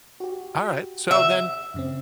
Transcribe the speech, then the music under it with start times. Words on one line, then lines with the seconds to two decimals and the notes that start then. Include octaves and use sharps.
All right, so then,
0.20 F#4 G4
1.11 E5
1.74 F#2 C#3 C4